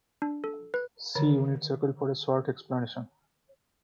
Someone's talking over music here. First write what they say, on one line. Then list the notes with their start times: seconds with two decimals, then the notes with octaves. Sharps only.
See unit circle for a short explanation.
0.22 D4
0.44 A4
0.74 B4
1.15 D3 D#3 C#5